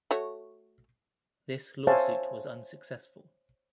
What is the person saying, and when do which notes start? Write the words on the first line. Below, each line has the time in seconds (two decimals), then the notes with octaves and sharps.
This lawsuit was unsuccessful.
0.11 A3 F#4 C#5
1.87 C5 C#5 E5 F5 G#5 A5